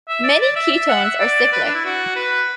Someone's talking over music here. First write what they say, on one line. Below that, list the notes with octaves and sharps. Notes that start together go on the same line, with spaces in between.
Many ketones are cyclic.
E5
D5
D5
E5
E5
F#5
E5
D5
B4
D4
E4
F#4
B4